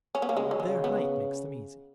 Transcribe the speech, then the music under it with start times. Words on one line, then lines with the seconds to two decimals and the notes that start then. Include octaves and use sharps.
Their height makes them easy.
0.15 C#4
0.22 B3
0.29 A#3
0.37 C#3 G#3
0.51 F#3
0.60 G#3
0.84 B3